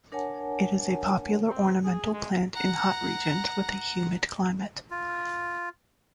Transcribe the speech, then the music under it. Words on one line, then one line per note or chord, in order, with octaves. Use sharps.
It is a popular ornamental plant in hot regions with a humid climate.
D4 A#4 C#5 F#5 G#5 A5
C4
G#4
G#3
F#5 A#5
F4